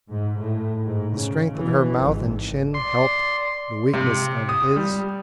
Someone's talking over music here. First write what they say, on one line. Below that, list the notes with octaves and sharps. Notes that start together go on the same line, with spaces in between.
The strength of her mouth and chin helped the weakness of his.
G#2
A2
G#2
C#3
E3
G#1
D5 C6
C3
D#6
G3